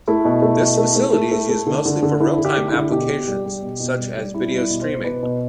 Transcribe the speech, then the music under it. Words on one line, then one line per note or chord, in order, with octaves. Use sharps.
This facility is used mostly for real-time applications, such as video streaming.
A3 E4
B2
A3
B2
A3
A3
A3
A3
A3
D3
D3
D3
D3 E4
D3
G4
A3
D3 E4
B2 G4
B2
G3
G3
B2
B2
G3
G3
G3 E4
G3
E4
B2
C5
B2
B2 B4
B2